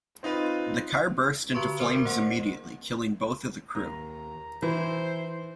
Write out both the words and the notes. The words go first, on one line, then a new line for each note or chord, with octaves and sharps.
The car burst into flames immediately, killing both of the crew.
C4 D#4 F4 B4
D3 F#4 B4 C6 C#6 D7
A#4 C5 C6 D6
A#3 F#5
D#2 A#5
E3 E4 C5